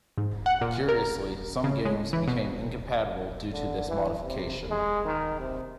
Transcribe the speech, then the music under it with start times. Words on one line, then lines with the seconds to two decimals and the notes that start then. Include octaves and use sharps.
Curiously, some games became incompatible due to this modification.
0.18 G#2
0.46 F#5
0.61 A#2
0.89 A#4
1.64 C#3
1.85 G#3
2.13 E3
2.28 B2
3.51 D3
3.88 E3
4.23 C3
4.69 G#3
5.05 D#3
5.40 C3